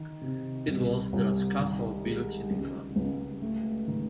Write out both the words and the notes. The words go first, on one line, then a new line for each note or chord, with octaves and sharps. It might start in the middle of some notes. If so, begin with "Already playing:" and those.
It was the last castle built in England.
Already playing: D#3
C3
C2
C2
D#3
G#3
C#2
C#2
A3
D#3